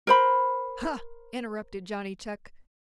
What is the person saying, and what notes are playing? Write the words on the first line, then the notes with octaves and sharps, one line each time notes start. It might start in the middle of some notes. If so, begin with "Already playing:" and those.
"Huh!" interrupted Johnny Chuck.
A#4 C5 B5